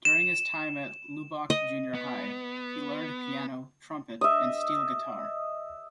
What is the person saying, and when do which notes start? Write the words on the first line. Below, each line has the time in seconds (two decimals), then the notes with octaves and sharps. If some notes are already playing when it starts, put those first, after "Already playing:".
During his time at Lubbock Junior High, he learned piano, trumpet and steel guitar.
0.05 E7
1.50 D#5
1.95 B3
4.21 D#5 E5